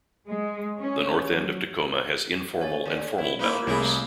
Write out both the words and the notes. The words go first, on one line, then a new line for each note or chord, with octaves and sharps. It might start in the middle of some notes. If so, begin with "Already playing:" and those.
The North End of Tacoma has informal and formal boundaries.
G#3
C#4
F#3
C#5 G#5 A6
D3
E4
A#3 D#4 E4 B4 B5
C2 A3 E4 G#4 A#4 C#5